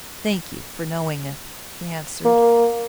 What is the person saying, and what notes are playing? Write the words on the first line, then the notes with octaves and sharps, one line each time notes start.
"Thank you for knowing it," he answered.
A#3